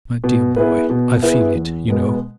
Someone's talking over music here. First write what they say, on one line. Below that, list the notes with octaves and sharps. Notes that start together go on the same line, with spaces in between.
My dear boy, I feel it, you know.
B2
B3 E4 G#4 B4
B2
B3 E4 G#4 B4
E2
B2 G#3 B3